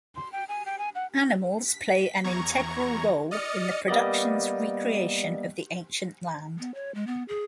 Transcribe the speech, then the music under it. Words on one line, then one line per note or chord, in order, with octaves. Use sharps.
Animals play an integral role in the production's recreation of the ancient land.
C6
G5
G#5
G5
G#5
F#5
B6
E2 A#5 C#6 G#6
D5 D#5 D#6 F6 A6 C#7
G3 A#3 B3 D5 D#5
B3
C#5
G#3
B3
G#4